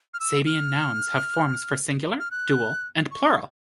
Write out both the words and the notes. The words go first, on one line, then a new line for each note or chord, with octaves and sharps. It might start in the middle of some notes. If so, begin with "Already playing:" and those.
Sabaean nouns have forms for singular, dual and plural.
F6
E6
F6
F6
F#6
C#6